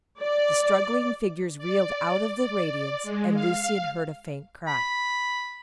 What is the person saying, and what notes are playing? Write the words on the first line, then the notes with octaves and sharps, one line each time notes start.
The struggling figures reeled out of the radiance and Lucian heard a faint cry.
D5
D5
D5
G#3
F5
B5